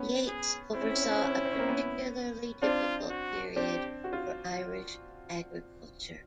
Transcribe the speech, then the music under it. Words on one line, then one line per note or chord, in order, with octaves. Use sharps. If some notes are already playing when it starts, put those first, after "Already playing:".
Yates oversaw a particularly difficult period for Irish agriculture.
Already playing: B3 C#4
G#4
C4 E4
C#4
C4
C#4
C4
C#4
C4
C#4
C4
C#4
C4
C#4
A#3 C4
B3 C#4
C4 D4 F4
F#4
C4 D4 G4
F#4
F4